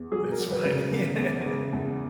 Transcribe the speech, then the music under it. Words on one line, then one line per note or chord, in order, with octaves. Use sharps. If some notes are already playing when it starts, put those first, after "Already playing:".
That's fine. Yeah.
Already playing: E2
F#3 G#4
A#4
F#3
B4
C#3 B4
A#4
E2
E2
C#3
E2